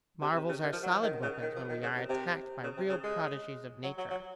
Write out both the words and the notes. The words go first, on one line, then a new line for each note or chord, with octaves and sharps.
Marvels are solid weapons when we are attacked by real prodigies of nature.
C3
C3
C#3
D#3
F3
F#3
F3
D#3
C#3
D#3
F3
D#3
C#3
C3
C3
C#3
C3
C#3
G#3
F#3
F#3
F#3